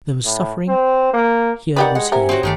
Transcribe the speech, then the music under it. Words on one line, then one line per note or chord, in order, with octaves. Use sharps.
There was suffering; here was healing.
A2
C4
A#3
D#3 D#4 G4 B4 D5 F#5
G#3 F#5
C3 G4 A#4 E5 G#5
C4 F#4 C#5
G1 D#3 A3 G4 C7